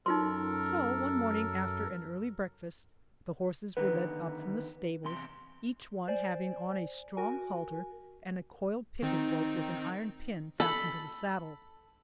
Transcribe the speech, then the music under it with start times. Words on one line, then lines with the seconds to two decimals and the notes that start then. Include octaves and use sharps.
So, one morning after an early breakfast, the horses were led up from the stables, each one having on a strong halter, and a coiled picket rope with an iron pin fastened to the saddle.
0.06 F#2 D#4 F4 A4 A#4 C6
3.77 D3 D#3 B3 B4
5.04 E2 C3 C6
6.08 C5 D5 G#5
7.17 F#4 A#4 G#5
9.02 D#3 C4 D#4
10.60 A4 B5